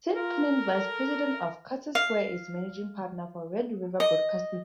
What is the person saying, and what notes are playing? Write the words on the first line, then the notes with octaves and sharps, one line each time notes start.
Tim Kunin, Vice President of Curtis Squire, is managing partner for Red River Broadcasting.
F4 A#4
A4
F5
D#5